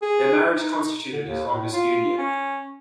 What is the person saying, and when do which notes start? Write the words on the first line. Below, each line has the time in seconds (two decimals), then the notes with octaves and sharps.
Their marriage constituted his longest union.
0.02 G#4
0.58 D#4
1.13 D3
1.26 D#2
1.49 A2
1.73 F4
2.18 C#4